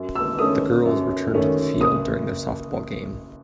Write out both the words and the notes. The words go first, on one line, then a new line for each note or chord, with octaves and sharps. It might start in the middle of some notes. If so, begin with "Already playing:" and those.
The girls return to the field during their softball game.
Already playing: F#2
E6
D#3 A3 C#4 D#6
F#2
D#3 A3 C#4
F#1 D#6